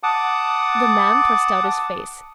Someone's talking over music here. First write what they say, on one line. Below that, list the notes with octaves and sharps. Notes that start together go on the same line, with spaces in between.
The man thrust out his face.
F#5 A5 D6 D#6